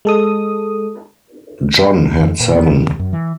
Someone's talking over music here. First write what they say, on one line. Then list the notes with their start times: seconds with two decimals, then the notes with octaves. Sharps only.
John had seven.
0.05 G#3 A4 D#6
2.20 F2
2.40 A#2
2.55 B3
2.71 D#2
2.99 F#2
3.13 E3